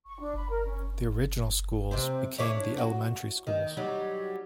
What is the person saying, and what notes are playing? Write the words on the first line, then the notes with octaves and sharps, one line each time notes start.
The original schools became the elementary schools.
C#6
D4
B5
A#4
C#4
C3 C4 C5
D4 E4 C#5
F#4
D#3
F#3 G3 D#4